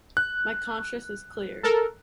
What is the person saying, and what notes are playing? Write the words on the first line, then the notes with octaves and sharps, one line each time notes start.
My conscious is clear.
F#6
A4 A#4